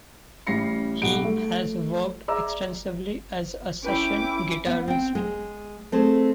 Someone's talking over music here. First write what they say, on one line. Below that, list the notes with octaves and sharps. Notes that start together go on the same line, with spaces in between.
He has worked extensively as a session guitarist.
A1 G3 C#4 A#6 C7 C#7
B1 G3 F#5 D7
A3
G#4 D5 E5 A#5 D6 E6
C#4 E4 B4 G5 B5 D6
B3
C4 G5
G#3
A3 C4 G#4